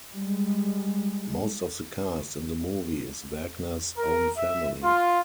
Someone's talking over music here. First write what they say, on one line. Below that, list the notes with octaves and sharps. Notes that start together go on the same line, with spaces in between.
Most of the cast in the movie is Wagner's own family.
G3 G#3
A#4
E5
F4